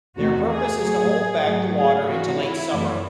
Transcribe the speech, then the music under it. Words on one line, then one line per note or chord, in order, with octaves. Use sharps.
Their purpose is to hold back the water into late summer.
E2 C3 D#3 A3 F#4
G#4
A2 F#3 A3 G#4
G#2 F#3 A3
G#4
C3 E3 A3 F#4
E4
F#2 E3 A3